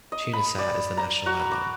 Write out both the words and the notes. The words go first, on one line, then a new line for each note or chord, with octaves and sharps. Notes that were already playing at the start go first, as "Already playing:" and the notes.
Tunisair is the national airline.
D#5
B5
D5
A#5
F#4
B5
D6